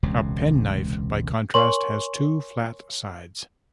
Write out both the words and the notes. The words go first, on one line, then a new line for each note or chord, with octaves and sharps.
A "pen" knife by contrast has two flat sides.
E1 C#2 C3
A#4 C#5 G#5 C6 C#6 F#7